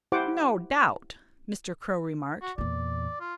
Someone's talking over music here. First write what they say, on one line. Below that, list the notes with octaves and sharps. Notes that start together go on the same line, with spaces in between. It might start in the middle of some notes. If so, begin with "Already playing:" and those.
"No doubt!" Mr. Crow remarked.
E4 G4 C5 F#5 D6
F#4
E2 A#2 D5
F4